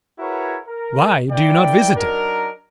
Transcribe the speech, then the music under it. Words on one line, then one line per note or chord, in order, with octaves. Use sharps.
Why do you not visit her?
E4 F#4 G#4 A#4 B4 C#5
A#4
A#3 E4 D5 G5
F#3 D4 D#4 A#4